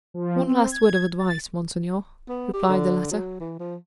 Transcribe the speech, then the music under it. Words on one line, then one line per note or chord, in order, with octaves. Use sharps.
"One last word of advice, monseigneur," replied the latter.
F3
C4
G#6
A6
B3
G4
D3
F#3
E3
F3